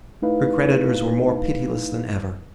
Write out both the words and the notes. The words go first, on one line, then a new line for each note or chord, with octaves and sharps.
Her creditors were more pitiless than ever.
A3 D#4 E4 B4 F5